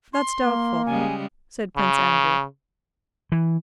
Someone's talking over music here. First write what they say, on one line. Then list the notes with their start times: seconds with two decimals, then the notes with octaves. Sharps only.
"That is doubtful," said Prince Andrew.
0.13 C6
0.44 A#3
0.86 C#3 G3 G#3 G#5
1.77 C#3
3.32 E3